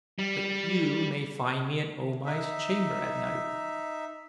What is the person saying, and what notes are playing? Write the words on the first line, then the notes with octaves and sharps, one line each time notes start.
But you may find me in O-Mai's chamber at night.
G3
D#4 E5